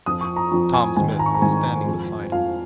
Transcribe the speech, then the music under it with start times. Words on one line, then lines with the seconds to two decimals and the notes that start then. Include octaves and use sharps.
Tom Smith was standing beside him.
0.06 F2 F3 D#6
0.21 C#6
0.36 A#5
0.51 F2 F3 A#5
0.73 G#5
0.96 G#2 D#3 G#5
1.19 A#5
1.26 C#6
1.34 A#5
1.41 G#2 D#3 G#5
1.87 F2 F3
2.32 F2 F3 F5